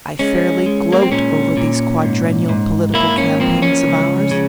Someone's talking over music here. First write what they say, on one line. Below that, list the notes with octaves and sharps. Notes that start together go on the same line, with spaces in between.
I fairly gloat over these quadrennial political campaigns of ours.
G#3 C#4
G#3
A#3
C4
A#2 C#4
A#2
G#2
G#2
A#3 E4
C#4
F3 C4
C#4
C#2
C#3